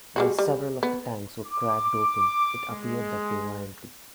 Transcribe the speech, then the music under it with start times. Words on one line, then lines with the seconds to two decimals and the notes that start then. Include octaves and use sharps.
While several of the tanks were cracked open, it appeared that they were empty.
0.16 G3 G#3 F#4
0.38 G3
0.83 B3
1.46 D6
2.70 G#3